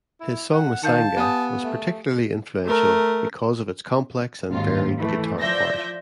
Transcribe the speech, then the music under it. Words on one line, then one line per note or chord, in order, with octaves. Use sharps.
His song "Masanga" was particularly influential, because of its complex and varied guitar part.
E4
F#5
D#3 F5 A5 G6 C#7
B3 G4 G#5 D#6
A3
A3 A#4
G#1 D#2 F4
E3 A3
F3 D5 E5 G6 A#6